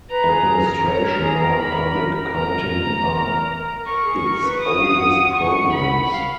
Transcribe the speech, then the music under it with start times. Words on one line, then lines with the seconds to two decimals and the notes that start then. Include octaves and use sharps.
Administration, Law and Public Accounting are its oldest programs.
0.10 B4 A#5
0.29 G#4
0.48 G#4
0.67 A#4
0.86 C#5 A#5
1.04 A#4
1.23 G#4
1.42 A#4
1.60 A#4 B5
2.35 A#5
3.11 A#4
3.86 A#4 C#6
4.04 G#4
4.23 A#4
4.43 B4
4.61 D#6
4.79 F5
4.98 F#5
5.17 F#5
5.37 C#6
5.73 B5
6.11 F5